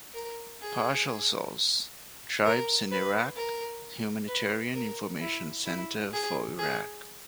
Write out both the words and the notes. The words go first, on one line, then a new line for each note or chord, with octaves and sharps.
Partial source: Tribes in Iraq, Humanitarian Information Centre for Iraq.
A#4
G#4
A#4
B4
A#4
B4
A#4
E4
E4
G#4
G#4